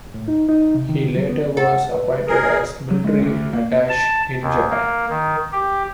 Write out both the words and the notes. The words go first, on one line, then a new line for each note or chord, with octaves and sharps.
He later was appointed as Military Attache in Japan.
A2
D#4
D#4
C3
D#3
D3
F#3
B3
A4 F#5
B4
G#4 A#4
F#3
G#3
D2
A#3
A5
D#2
A#3
D#3
G4